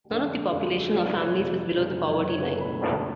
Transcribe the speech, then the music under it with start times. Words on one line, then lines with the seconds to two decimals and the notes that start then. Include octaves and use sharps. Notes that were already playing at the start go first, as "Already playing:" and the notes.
None of the population or families was below the poverty line.
0.10 F2 D3 G#3 D4
0.52 F2 D3 G#3 D4 F5
0.94 F1 F2 F3 D5
1.08 D5
1.21 C#5
1.35 F1 F2 F3
1.76 F#1 F#2 D3 G#3
2.18 F#1 F#2 D3 G#3 B4
2.29 C#5
2.39 B4
2.50 C#5
2.60 C#2 B2 A3 D4 B5
2.74 B5
2.88 A5